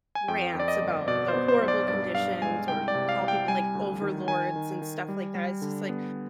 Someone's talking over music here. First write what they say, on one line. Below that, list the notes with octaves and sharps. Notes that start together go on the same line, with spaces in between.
rants about the horrible conditions or n call people like, overlords and stuff like that, it's just like,
G#5
F2 G5
F2 D5
D#5
G1
B2 D5
C5
B3
C5
B1
D5
G2 D5
G2 F5
G#3 G#5
C2 G5
D5
C3
F5
C2
G5
G3 G#5
D2
D#3
D#3 G#5
D#3
D#3
G3
G3
D3
B3